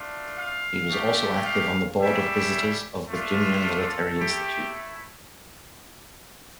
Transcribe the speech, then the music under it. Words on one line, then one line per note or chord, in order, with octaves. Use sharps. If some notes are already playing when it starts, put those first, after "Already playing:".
He was also active on the Board of Visitors of Virginia Military Institute.
Already playing: A3 D4 F4
F5
A3 D4 G4
F5
G3 C#4 E4 G4 E5
A3 D4 F4
A4
A3 E4 G4